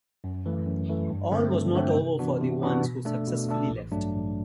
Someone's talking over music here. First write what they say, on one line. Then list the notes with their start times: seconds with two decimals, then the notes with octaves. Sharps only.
All was not over for the ones who successfully left.
0.24 F#2
0.46 E3 A3
0.66 F#2
0.89 E3 A3
1.10 G2
1.31 D3 A3 C4
1.54 G2
1.75 D3 A3 C4
1.97 C3
2.19 E3 B3 D4 F#4
2.41 C3
2.62 E3 B3 D4 F#4
2.83 B2
3.05 A3 D4 A4
3.27 B2
3.49 A3 D4 A4
3.70 A1
3.91 G2 F#3 A3 D4
4.13 A1